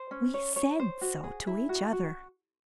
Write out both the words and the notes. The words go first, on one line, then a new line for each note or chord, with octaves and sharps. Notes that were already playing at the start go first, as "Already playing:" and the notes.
We said so to each other.
Already playing: C5
C#4
C#5
C#5
C5
F#4
G#4
E4
F#4
F#4